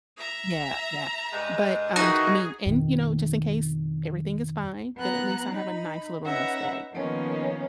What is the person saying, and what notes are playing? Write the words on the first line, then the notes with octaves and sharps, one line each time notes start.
Yeah, yeah. But, um, t I mean, and, you know, just in case everything is fine, then at least I have a nice little nest egg.
E5 A#5
G2 G#3
D#3 E3 D#4 F#4 G#4
F2 B2 D#3
F3 B3 A#5 F#6
D#4 B5
C#4 D#4 B4 E5 F#5 A#5
D#3 F3 A#3 B3 C#4 D#4